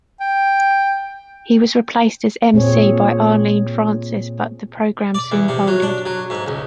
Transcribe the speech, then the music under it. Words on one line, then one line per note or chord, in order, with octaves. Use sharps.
He was replaced as emcee by Arlene Francis, but the program soon folded.
G5
A#2 C4 G#4 C#5
D5
E2
C3
F#3
D4
F#3
G#2
C#2